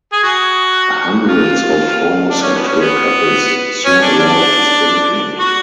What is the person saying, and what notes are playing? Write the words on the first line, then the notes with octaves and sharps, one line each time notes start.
Hundreds of homosexual couples soon arrive to Springfield.
G#4
F#4
F4
D4
C#4
B3
C#4
B3
C#4
D4
D4
F#4